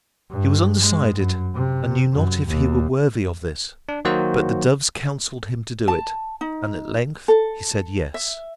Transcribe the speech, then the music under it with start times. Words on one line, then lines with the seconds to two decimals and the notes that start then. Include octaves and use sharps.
He was undecided, and knew not if he were worthy of this, but the doves counselled him to do it, and at length he said yes.
0.31 G2
0.79 G#3
1.17 F#2
1.55 C3
2.13 F#2
2.49 D#2
3.89 D4
4.05 D#3 F#3 A#3 F#4 C5
5.88 A5
6.41 D#4
7.28 A4
8.14 E5